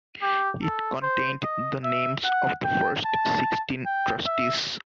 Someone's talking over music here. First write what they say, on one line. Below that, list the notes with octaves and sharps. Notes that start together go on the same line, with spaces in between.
It contained the names of the first sixteen trustees.
G4
A4
C5
D#5
E5
F#5
G5
A5
G5
E5